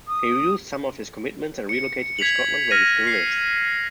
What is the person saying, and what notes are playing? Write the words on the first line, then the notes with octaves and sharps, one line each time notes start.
He reduced some of his commitments and relocated to Scotland where he still lives.
D#6
C#7
G#6 B6 C#7 F7 F#7
F6 A#6 D#7
C7